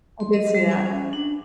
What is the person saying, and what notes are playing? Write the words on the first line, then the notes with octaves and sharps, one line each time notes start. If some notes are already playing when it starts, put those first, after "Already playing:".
I did see that.
C6
D#5
G3
G#5
C#4
D4